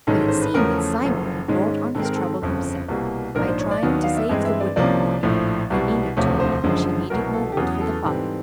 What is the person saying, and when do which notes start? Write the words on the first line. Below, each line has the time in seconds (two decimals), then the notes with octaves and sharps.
But it seemed that Simon had brought on his trouble himself by trying to save the wood that morning when Nina told him she needed more wood for the fire.
0.07 A1 G#2 D#3 G#3 C#4 A4
0.28 C5
0.42 B4
0.54 E2 C#3 F3 A3 C#4 A#4
0.78 A4
1.01 F#1 F#2 C#3 F3
1.48 G#2 D#3 G#3 C#4
1.95 G#2 D#3 G#3 C4 A4
2.05 A#4
2.16 A4
2.42 G1 F2 C#3
2.88 C2 B2 G3 A#3
3.35 A#1 G#2 F3 A#3 D4 A#4
3.47 C5
3.59 C#5
3.71 D5
3.83 D#2 D#3 F#3 B3 D4
4.04 F5
4.17 E5
4.29 G2 E3 G#3 C4 D#5
4.45 E5
4.60 D5
4.76 C2 C3 F3 A#3 C#4 D5
5.23 A#1 A2 F3 A3
5.70 C2 B2 G3
6.17 E1 D2 C3 F3 A3 C#5
6.40 C5
6.64 F#1 F#2 D3 F3 G#3
7.10 C2 B2 F#3 A#4
7.34 A4
7.52 G4
7.57 E2 C#3 F#3 B3 G#4
7.81 A4
8.04 G#2 E3 G3 C4